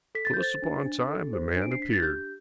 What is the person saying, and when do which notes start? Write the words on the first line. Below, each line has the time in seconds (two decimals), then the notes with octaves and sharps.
Close upon time the man appeared.
0.15 A4 B6
0.25 A6
0.34 G6
0.39 C5 A6
0.62 D4
0.85 D4
1.08 A4
1.33 C5
1.56 D4
1.62 D7
1.72 C7
1.80 D4 B6
1.93 A6
2.03 G4 G6